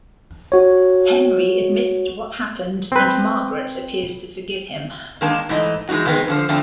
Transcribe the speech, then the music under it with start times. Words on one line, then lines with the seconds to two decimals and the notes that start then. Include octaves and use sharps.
Henry admits to what happened, and Margaret appears to forgive him.
0.52 F#4 C#5
2.92 C4 B4
5.21 D#3 G#3 A#3 D4 A5
5.49 G#2 E3 A3 G#4 D#5
5.89 E3 G#3 A#3 D#4 F#4
6.05 F2 D#3 G#3 B3 C4 B4
6.28 D3 F3 C5
6.49 E2 D3 F3 A3 C4 D4